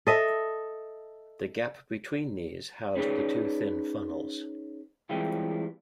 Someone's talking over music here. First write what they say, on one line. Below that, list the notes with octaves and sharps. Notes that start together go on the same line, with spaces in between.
The gap between these housed the two thin funnels.
A4 D#5 E5
C#4 D#4 G#4 B4 C#5 D5
E3 G3 G#3 C4 E4 F4